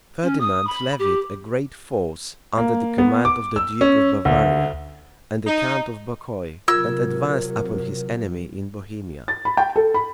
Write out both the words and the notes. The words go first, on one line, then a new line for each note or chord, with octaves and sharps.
Ferdinand levied a great force, under the command of the duke of Bavaria and the count of Bucquoy, and advanced upon his enemy in Bohemia.
C#4
D#6
B5
G4
A#3
B3
D6
E6
C#4
D2
D#4
C3 F#3 F4 A#4 E6 G#6
A6
B5
G5
A4
B5